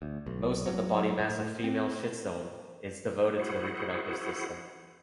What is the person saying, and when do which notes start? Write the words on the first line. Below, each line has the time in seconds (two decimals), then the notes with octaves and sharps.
Most of the body mass of female schistosomes is devoted to the reproductive system.
0.02 D2
0.26 B1
0.66 F#3
1.20 A2
1.64 C4
3.39 E4 F#4 G#4 C5 F#5